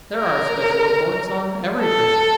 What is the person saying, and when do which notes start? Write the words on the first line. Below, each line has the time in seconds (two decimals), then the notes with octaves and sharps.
"There are special reports on every prisoner."
0.16 A#4
1.81 A4